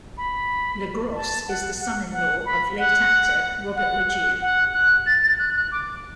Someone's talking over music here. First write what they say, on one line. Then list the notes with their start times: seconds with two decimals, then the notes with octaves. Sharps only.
LeGros is the son-in-law of late actor Robert Loggia.
0.18 B5
1.16 A5
1.48 F#5
1.80 F#5
2.12 F#5
2.46 B5
2.78 F#5
3.76 F#5
4.08 F#5
4.42 F#5
4.74 F#6
5.06 A6
5.23 A6
5.39 F#6
5.56 F#6
5.72 D6